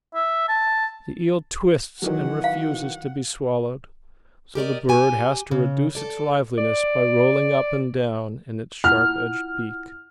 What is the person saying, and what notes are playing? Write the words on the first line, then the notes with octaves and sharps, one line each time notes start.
The eel twists, and refuses to be swallowed; so the bird has to reduce its liveliness by rolling up and down in its sharp-edged beak.
E5
A5
D#3 E3 F#3 F#5
F5
G4 A#4 D5 D#5
G4 G#5
C#3
A4 D5
D5
E4 F4 F#5 F6